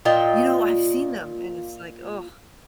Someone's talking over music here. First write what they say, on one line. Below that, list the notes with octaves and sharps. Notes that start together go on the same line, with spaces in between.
You know, I've seen them and it's, like, oh.
A#2 F4 D#5 G5